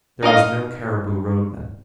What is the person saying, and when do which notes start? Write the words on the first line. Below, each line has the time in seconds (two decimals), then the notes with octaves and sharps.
There was no Cariboo Road then.
0.23 D#4 A#4 D#5 F5